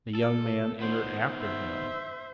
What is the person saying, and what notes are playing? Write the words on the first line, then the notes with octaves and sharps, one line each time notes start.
The young man entered after him.
A4
D#3 B3 C5
C5 E5